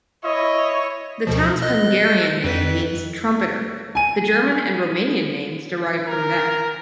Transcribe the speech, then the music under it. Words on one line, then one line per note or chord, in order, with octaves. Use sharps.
The town's Hungarian name means "Trumpeter"; the German and Romanian names derive from that.
E4 C#5 D#5
D2 B2 F3
D#5 F#6
F2 B4 B6
G#5 D#7
A#4